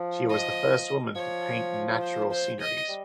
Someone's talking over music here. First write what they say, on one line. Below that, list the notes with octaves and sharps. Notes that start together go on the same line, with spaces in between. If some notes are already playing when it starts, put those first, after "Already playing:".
She was the first woman to paint natural sceneries.
Already playing: F3
D#5
F3 C#5
C5
C5
D#5
G3